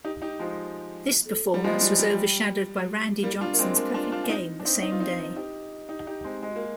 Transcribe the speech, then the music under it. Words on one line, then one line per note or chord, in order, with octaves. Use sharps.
This performance was overshadowed by Randy Johnson's perfect game the same day.
D#4 G4
D#4 G4
F3 G#3
G3
F3 G#3
G3
G3
G3 A#3
D4 F4
A#3
G#3 C4
A#3 D4
D4 F4
D4 F4
D4
C4 D#4
D4
C4 D#4
D#4
F4
C4 D#4
D#4 G4
D#4 G4
D#4 G4
G#3 C4
G#3
A#3